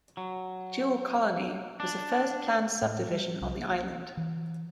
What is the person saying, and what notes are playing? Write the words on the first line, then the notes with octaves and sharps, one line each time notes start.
Jewell Colony was the first planned subdivision on the island.
F#3
D4
A2
G3
C2
A#3
E3